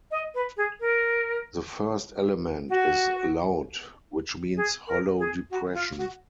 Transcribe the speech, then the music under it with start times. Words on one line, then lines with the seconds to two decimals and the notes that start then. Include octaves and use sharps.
The first element is "laut" which means "hollow depression".
0.11 D#5
0.34 B4
0.57 G#4
0.80 A#4
2.69 F#4
4.56 G#4
4.87 A#4
5.19 G#4
5.50 F#4
5.74 F4
5.97 F#4